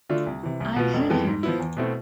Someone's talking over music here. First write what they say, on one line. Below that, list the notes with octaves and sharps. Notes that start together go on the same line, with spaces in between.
I've hit him.
D3 A3 D4 F4
C2
C3 E3
C2
B2 B3 F4
F1
F2 E3 G#3 B3
G#2
F3 B3 E4
E2
B2 A3 C4 E4